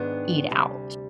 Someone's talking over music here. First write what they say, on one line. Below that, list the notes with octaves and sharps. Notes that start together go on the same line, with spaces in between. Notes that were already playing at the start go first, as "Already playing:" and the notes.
eat out."
Already playing: G#2 D#3 B3 D4
D2 C3 G3